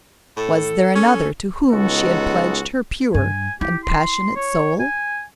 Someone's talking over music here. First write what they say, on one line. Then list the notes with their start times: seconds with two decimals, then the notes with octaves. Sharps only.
Was there another to whom she had pledged her pure and passionate soul?
0.37 A2 A4
0.96 C#4
1.71 C#2 G#3 B3 D#4 F#4 A4
3.14 G2 G#5
3.61 E4 G4
3.84 C6
4.36 C#5
4.80 G#5